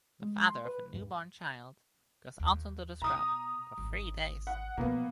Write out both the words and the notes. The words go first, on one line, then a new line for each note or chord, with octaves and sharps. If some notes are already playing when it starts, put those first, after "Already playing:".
The father of a newborn child goes out into the scrub for three days.
G#3
C6
B4
G2
D#2
B2 A#5 D#6
G#1
F#5
B2 F3 A#3 B3